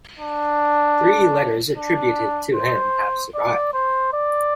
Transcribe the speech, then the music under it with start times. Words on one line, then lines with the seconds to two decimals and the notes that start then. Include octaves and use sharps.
Three letters attributed to him have survived.
0.19 D4
1.77 D4
2.55 C5
3.35 D5
3.74 C5
4.13 D5